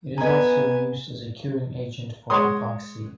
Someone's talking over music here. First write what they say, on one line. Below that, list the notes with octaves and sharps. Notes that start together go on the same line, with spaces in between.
It is also used as a curing agent for epoxy.
B3 D#5 G#5 A#5
G#3 C#5 C6 D#6